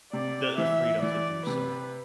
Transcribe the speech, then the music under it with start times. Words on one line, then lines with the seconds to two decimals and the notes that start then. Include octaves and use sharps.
the the freedom to do so.
0.13 C3 D5
0.57 E3 E5
1.02 E3 D5
1.46 C3 B4